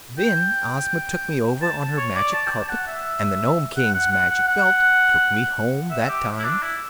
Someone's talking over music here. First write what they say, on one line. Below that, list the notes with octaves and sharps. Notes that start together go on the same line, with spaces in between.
Then Ozma took me over on her Magic Carpet, and the Nome King's Magic Belt took me home that time.
G5
A5
C#5
D5
A5
G5
A5
F#5
E5
F#5
F#5
F#5
F#5
F#5
E5
G4
E4
D4
E4